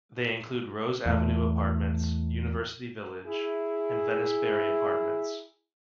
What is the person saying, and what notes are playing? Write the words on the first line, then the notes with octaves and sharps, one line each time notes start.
They include Rose Avenue Apartments, University Village, and Venice-Barry Apartments.
E2 A2
E4 G#4